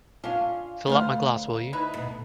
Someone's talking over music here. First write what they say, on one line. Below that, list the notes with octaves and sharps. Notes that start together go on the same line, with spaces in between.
Fill up my glass, will you?
C#4 D4 F4 F5
D2 B3 C5 F5
D#4 E4 B4
B2